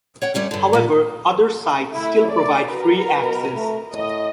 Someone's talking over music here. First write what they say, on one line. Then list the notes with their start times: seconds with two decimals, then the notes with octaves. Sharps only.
However, other sites still provide free access.
0.22 C#5 F#5 G5
0.34 F#2 G3 C#4 F#5
0.51 G2 D3
0.73 A#2 B3
1.93 A3 E4
2.33 D5
2.69 F#4 A#4 B4
3.20 B2
3.54 A3
3.94 A2 D#5